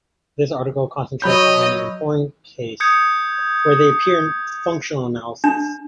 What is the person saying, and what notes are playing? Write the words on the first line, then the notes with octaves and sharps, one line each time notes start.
This article concentrates on an important case, where they appear in functional analysis.
F#3 C#5 D#5 B5 G6
D#6 G6 G#6 C#7
D4